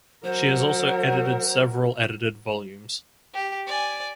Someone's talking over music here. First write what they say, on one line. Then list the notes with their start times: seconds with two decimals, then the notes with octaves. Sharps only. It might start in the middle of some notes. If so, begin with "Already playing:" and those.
She has also edited several edited volumes.
0.24 F#3 A#4 C5
3.34 G4
3.67 D5 G#5